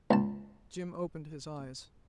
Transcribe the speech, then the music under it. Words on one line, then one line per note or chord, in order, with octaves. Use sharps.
Jim opened his eyes.
C#2 A5